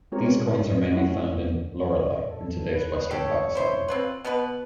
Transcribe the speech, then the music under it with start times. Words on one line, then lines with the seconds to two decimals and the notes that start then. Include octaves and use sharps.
These coins are mainly found in Loralai in today's western Pakistan.
0.12 G#3 C4 F4 G4 A#4 C#5
0.92 A3 C#4 E4 F#4
2.30 A4
2.74 B4
3.11 G4 A4 C#5
3.55 E4 C5
3.88 C4 F4 B4
4.24 B2 B3 B4